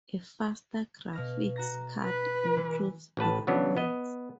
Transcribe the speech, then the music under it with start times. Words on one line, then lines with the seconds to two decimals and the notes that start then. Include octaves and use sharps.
A faster graphics card improves performance.
1.13 B2 F5 A#6
1.56 F#4 A#5 A#6
2.04 B4
2.56 E3
3.17 A1 A2 B4 A5
3.47 C#3 E3 F#3 B3 D4
3.77 B3 D#5